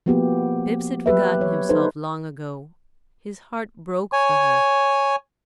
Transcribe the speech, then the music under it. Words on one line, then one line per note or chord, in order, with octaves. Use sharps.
Bibbs had forgotten himself long ago; his heart broke for her.
F3 A#3 B3 F#4 G4
F#3 G4 B4 E5
C#5
D#4 G4 A4 B4 C5
C#5 G#5